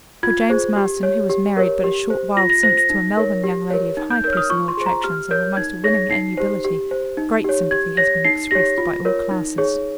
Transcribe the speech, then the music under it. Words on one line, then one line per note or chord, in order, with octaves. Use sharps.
For James Marston, who was married but a short while since to a Melbourne young lady of high personal attractions and the most winning amiability, great sympathy has been expressed by all classes.
F4 G#6
G#4 C5
G4
C#5
G4
A#4 C#5
G4
C5
F4 A#6
A#6
C5 A#6
A#6
D#4
A#4 C#5
G4
A#4 C#5
D#4
G6
A#4 C#5 G6
F6
D#6
F4 C#6
C6
G#4 C5
A#5
G4 F6
A#4 C#5 G6
D#4 G#6
G#4 C#5 A#6
D#4 C7
G4 C5
G4
C5
D#4
G4 C#5
G4 G#6
C#5 A#6
D#4 C7
G4 C#5 A#6
F4
A#4 C#5
D#4
G#4 C#5